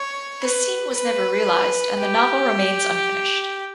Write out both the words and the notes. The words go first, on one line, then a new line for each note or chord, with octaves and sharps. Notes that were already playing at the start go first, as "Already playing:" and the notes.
This scene was never realised and the novel remains unfinished.
Already playing: C#5
B4
B4
G4